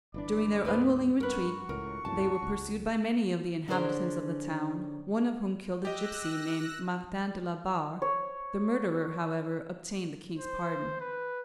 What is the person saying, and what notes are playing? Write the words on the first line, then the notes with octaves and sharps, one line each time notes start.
During their unwilling retreat, they were pursued by many of the inhabitants of the town, one of whom killed a gipsy named Martin de la Barre: the murderer, however, obtained the King's pardon.
G1 E3 D4 D5 B5 D6
D2 G#2 G#4 B4 C5
G2 F#4 A#4 B4 F#5 C#6
C#2 A2 A#4
C2 F#2 A2 A5
C#2
D3 C#4 D4 G#4 A#4 C5
G4 D#5 E6 F#6 A#6
C#5
C5
B4